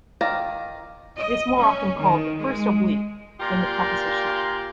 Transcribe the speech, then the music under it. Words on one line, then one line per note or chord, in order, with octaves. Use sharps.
It is more often called the "first oblique" than the prepositional.
D#3 D5 F5 A#5
D#5
C#4
D#3
G#3
A#2 F4 G4 A#4 D5 C6